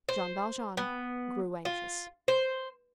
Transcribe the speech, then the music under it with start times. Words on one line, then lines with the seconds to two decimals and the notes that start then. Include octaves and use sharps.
Jean Valjean grew anxious.
0.09 C5
0.77 B3
1.65 F4
2.28 C5